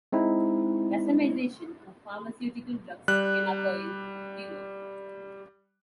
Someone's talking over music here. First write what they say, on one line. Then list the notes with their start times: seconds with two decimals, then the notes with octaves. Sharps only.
Racemization of pharmaceutical drugs can occur "in vivo".
0.12 G#3 C4 D#4 E4
3.08 G3 F#6